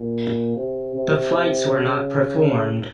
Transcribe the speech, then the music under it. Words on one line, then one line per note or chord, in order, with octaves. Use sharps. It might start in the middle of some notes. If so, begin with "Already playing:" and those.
The flights were not performed.
Already playing: A#2
C3
C3
C#3